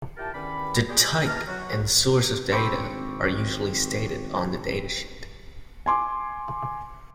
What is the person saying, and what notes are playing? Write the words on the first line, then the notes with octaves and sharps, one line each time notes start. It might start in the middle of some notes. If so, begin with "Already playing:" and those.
The type and source of data are usually stated on the datasheet.
A#2 E4 G4 A#4 G5 A5
E2 G2 D#3 C#4 D5 B5
G3 F4 G4 G#4
E3 G#3 A#3 A5 A#5 F6
F#3 F#4
G#1 C4 D4 C5 B5 C#6 D6
G#5 C6 D6